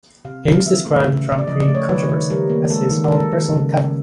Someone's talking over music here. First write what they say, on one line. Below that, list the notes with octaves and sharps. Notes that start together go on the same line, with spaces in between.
Eames described the Drumcree controversy as his "own personal Calvary".
C3 F5
C3 F5
E3 E5
A3
C#3
C#3
D5
F3 D#5
D5
A3
C#5
D#3 B4
D#3
G3 A#4
A#3
G#3 A4
D#3
A#4
G#3 A4
D#3
C#3
C#3